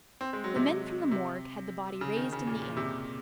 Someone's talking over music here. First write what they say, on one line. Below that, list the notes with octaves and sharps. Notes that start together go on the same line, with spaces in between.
The men from the morgue had the body raised in the air.
C4
G#3
F#3
C3
C3
C#3
D#3
C#3
A#2
A#2
C3